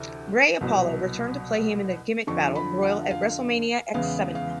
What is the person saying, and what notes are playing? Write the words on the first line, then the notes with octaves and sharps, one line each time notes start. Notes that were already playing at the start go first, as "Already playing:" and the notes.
Ray Apollo returned to play him in the Gimmick Battle Royal at WrestleMania X-Seven.
Already playing: D2 C3 E3
C2 B2 F#3
F2 D3 F3 C#6
B5
F#5
F5
E2 C#3 E3 G#3 B3 F5
F5